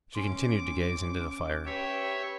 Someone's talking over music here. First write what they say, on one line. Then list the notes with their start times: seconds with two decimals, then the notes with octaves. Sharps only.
She continued to gaze into the fire.
0.15 C#4 C6 D6
1.66 G4 B4 C#5 E5